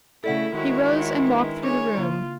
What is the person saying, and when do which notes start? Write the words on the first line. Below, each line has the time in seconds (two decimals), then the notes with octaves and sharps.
He rose and walked through the room.
0.24 C#3 A3 E4 A4 D5 F#5
0.54 D#3 G#3 E4 F#4 C#5
1.27 D4 B4
1.63 D4 G#4 C#5
1.97 C#3 A#3 F4